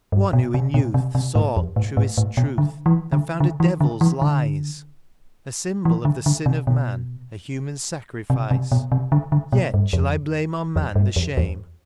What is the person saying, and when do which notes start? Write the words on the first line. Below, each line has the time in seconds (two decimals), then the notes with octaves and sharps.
One who in youth sought truest truth, and found a devil's lies; A symbol of the sin of man, a human sacrifice: Yet shall I blame on man the shame?
0.12 G2
0.33 B2
0.54 C3
0.74 B2
0.94 C3
1.15 C3
1.35 A2
1.56 F2
1.76 A2
1.97 A2
2.18 A2
2.37 B2
2.58 D3
2.86 E3
3.12 D3
3.40 D3
3.60 E3
3.81 D3
4.01 E3
4.22 D3
5.85 E3
6.05 D3
6.26 D3
6.46 C3
6.67 B2
8.30 C3
8.51 C3
8.72 B2
8.92 C3
9.12 D3
9.32 D3
9.53 B2
9.74 G2
9.93 F2
10.76 F2
10.96 G2
11.16 F2
11.37 E2